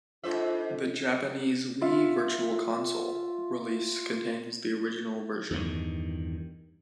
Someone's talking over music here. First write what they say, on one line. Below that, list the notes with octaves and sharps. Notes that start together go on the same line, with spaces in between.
The Japanese Wii Virtual Console release contains the original version.
G#2 D4 F4 A4 C5 D#5 E5
F4 E5
E2 G2 D#3